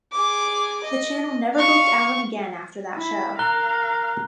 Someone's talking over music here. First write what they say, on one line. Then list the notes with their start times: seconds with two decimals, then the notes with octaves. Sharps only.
The Channel never booked Allin again after that show.
0.12 G#4 D6
0.84 D#5
1.54 F5 C#6
2.96 E4 B5
3.39 A#4 F5 A#5 F#6 G7